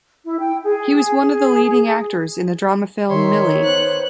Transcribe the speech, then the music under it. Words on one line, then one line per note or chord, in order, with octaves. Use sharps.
He was one of the leading actors in the drama film "Millie".
E4
G5
G#4
G#4
D#3 C#5 E5 C6
B3 C5 F#6